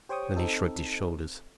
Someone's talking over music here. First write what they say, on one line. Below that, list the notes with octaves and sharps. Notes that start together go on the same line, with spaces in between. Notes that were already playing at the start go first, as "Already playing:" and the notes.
Then he shrugged his shoulders.
G4 C5 C#5 G5 C#6 D#6
C4 D#4 A4